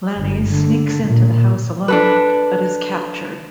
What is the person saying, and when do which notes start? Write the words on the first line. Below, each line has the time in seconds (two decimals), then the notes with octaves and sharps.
Lannie sneaks into the house alone, but is captured.
0.18 G1
0.52 D3
1.04 A#2
1.88 D4 A4 B4